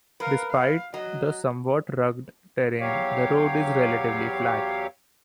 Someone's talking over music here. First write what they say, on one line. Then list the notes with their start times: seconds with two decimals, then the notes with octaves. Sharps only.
Despite the somewhat rugged terrain, the road is relatively flat.
0.20 A#4 B4 F5
0.50 F5
0.94 F#3 D#5
2.80 E2 F#3 G4 C#5 F5